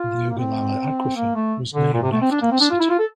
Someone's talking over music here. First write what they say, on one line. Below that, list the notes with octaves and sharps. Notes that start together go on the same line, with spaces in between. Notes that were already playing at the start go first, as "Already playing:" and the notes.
The Ogallala Aquifer was named after the city.
Already playing: F4
A#3
C4
A#3
A3
D3
A#2
C3
A3
C4
D4
A#3
C4
D4
F4
E4
F4
A4